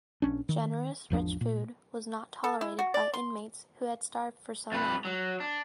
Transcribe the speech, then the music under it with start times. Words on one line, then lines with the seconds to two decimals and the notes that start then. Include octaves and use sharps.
Generous rich food was not tolerated by inmates who had starved for so long.
0.22 A#1 C#4 D4
0.49 D#3
1.10 G#1 E2 F3 D4
1.41 A#2
2.44 A4
2.61 E4
2.79 F#4
2.94 D5
3.14 C6
4.72 F2 B4
5.05 F#3
5.40 D4